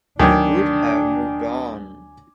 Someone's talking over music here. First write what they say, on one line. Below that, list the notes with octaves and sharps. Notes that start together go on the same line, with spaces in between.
He would have moved on.
D2 D#3 F#3 D4 G#5 D6 G#6